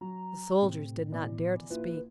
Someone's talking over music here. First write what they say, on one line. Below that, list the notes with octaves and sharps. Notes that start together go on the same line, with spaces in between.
The soldiers did not dare to speak.
F#3 A#5
A2 C3 C4
B2 E3 D5
A#1 E4 F4 B4